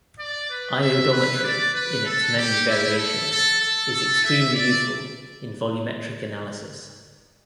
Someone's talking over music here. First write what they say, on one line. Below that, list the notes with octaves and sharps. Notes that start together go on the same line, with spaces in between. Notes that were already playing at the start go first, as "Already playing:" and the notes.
Iodometry in its many variations is extremely useful in volumetric analysis.
D5
B4
E5
B4
D5
B4
A4
G4
E4
A4
A4
A4
A4
E5
D5